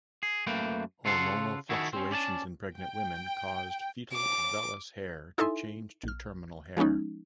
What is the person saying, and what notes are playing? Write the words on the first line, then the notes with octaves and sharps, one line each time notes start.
Hormonal fluctuations in pregnant women cause foetal vellus hair to change to terminal hair.
G#4
F#2 A3 A#3 B4 G5
C#3 F4 A4 F#5 C6
D#3 E4 F#4 G#4 A4
C4 C#4
C#4 D5 G#5 A5
G5
D6
D#4 E4 A4 E5 G#5 C6
A#1 F6
F3 G#3 B3 C#4 D#4